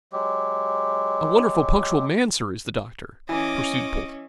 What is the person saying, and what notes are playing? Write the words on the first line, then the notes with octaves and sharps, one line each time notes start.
"A wonderful punctual man, sir, is the Doctor," pursued Polton.
F#3 G#3 G4
E3 C#4 D#5 D6